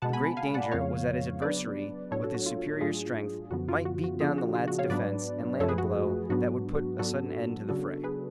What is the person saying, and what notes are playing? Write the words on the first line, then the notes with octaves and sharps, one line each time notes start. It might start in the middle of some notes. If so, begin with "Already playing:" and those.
The great danger was that his adversary with his superior strength might beat down the lad's defense and land a blow that would put a sudden end to the fray.
B2 G#3 B3 F#5 A5
G#5 B5
F5 G#5
D5 F#5
F2 C#3 F3 G#3 B3 C#5 F5
C#3 F#3 B3 D4 B4 D5
A2 F#3 B3 D4 A4 C#5
F#4 A4
F#4
F4
G#2 F#3 A3 D4 F4 G#4
F#2 D3 F3 B3 F#4
F4
F#4
F#4
C#3 F3 B3 D4 F4 G#4
F#4
F4
F#4
C#5 F5
G#2 F#3 B3 D4 B4 D5
F#2 F3 A3 A4 C#5
G#4 B4
F#4
G#2 F#3 B3 D4 F#4
G#2 F#3 B3 D4 F#4 A4
C#3 F#3 B3 D4 F#4 A4
G#4 B4